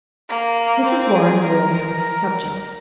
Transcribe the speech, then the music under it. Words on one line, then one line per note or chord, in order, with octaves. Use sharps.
Mrs. Warren warmed with her subject.
A#3
C4
G#4
A#4
A#4
A#4